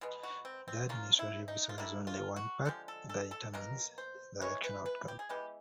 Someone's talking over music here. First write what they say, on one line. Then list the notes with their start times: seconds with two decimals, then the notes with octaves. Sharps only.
The administrative resource is only one part that determines the election outcome.
0.01 B2 G#3 B3
0.23 F#4
0.45 C4
0.68 C4
0.89 C#3 F#3 A#3 F4
1.19 E4
1.48 D#4
1.69 F4
1.78 D3 G3 A#3 E4
2.07 F4
2.36 F#4
2.65 D3 F3 G#3 G4
2.88 A4
3.09 A4
3.31 A4
3.54 B2 F#3 A#3 A#4
3.98 C5
4.41 E3 G#3 B3 C#5
4.64 B4
4.86 B4
5.08 G4
5.19 G#4
5.29 E3 G#3 B3 G4